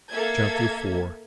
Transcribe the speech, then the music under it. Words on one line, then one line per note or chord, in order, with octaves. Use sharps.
Chapter IV.
A#3 A4 E5 G#6